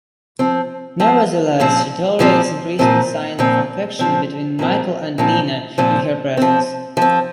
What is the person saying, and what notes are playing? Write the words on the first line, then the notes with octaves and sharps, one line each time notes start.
Nevertheless, she tolerates increasing signs of affection between Michael and Lina in her presence.
F3 C4
F3 C4
A#2 F3 C4
A#2 F3 C4
A#2 F3 C4
A#2 F3 C4
A#2 F3 C4
A#2 F3 C4
A#2 F3 C4
A#2 F3 C4
F3 C4
F3 C4